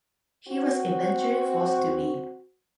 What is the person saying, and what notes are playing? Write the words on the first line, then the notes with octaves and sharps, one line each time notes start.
He was eventually forced to leave.
C4 F#4